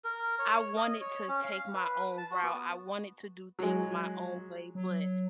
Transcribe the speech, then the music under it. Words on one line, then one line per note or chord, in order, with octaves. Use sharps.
I wanted to take my own route, I wanted to do things my own way, but
A#4
C#5
D#5
C#5
C#4
F5
B4
A5
F#4
B3
F#3 G#3
F#3